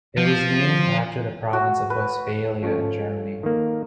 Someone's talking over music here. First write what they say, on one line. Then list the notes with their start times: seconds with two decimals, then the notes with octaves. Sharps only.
It was named after the province of Westphalia in Germany.
0.17 F3
1.53 F#4
1.90 B4
2.62 F3 A3 C#4
3.43 D#3 A#3